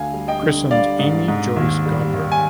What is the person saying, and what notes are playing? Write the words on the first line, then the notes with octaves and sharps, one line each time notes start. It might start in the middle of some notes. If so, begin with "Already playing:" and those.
Christened Amy Joyce Godber.
Already playing: D2 F5 G#5
G3
D#5 G5
D3
G3 D5 F5
G#2
G#2
D#2
G3
D#2
G#5